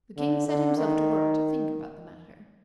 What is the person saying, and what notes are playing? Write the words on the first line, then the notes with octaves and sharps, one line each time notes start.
The King set himself to work to think about the matter.
D3
D3
D#3